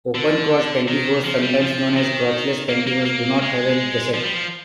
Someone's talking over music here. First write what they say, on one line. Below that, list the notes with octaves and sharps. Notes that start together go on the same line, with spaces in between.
Open-crotch pantyhose, sometimes known as crotchless pantyhose, do not have a gusset.
D3
D#3
F3
G3
F3
D#3
A#3
A#3
A#3
G#3
F3
G3
F3